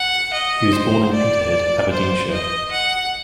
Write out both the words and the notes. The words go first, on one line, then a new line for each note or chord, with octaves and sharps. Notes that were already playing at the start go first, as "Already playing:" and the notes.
He was born in Peterhead, Aberdeenshire.
Already playing: F#5
D#5
C5
D5
C5
D#5
F#5